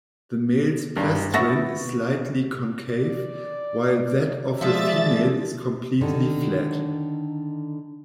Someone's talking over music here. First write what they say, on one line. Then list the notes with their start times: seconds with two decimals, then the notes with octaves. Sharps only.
The male's plastron is slightly concave, while that of the female is completely flat.
0.97 G#1 G2
1.34 B3 E4 C#6 A6 A#6
2.99 D5
4.61 F3 G#3 D5 E5 A6
6.01 D3 D#3